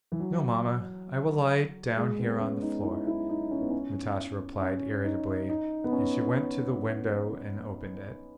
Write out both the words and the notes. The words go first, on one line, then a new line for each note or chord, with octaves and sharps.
"No, Mamma, I will lie down here on the floor," Natasha replied irritably and she went to the window and opened it.
E3
F#3
G#3
B3
C#4
D#4
E4
E4
D#4
C#4
B3
C#4
C#4
D#4
D#4
B3
C#4